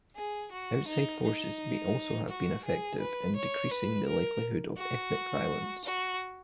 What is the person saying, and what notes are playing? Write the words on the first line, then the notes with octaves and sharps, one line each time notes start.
Outside forces may also be effective in decreasing the likelihood of ethnic violence.
G#4
F#4
D#4
D#4
F#4
G#4
B4
C#5
B4
A#4
F#4
F#4